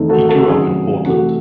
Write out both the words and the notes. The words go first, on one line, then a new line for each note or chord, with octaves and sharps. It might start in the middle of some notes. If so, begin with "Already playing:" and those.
He grew up in Portland.
Already playing: E2 D#3 A3 C4 D#4
F#4 A4
F#4 A4
C3 D#3 F#3 A3 C#4 G#4
C3 E3 A3 F#4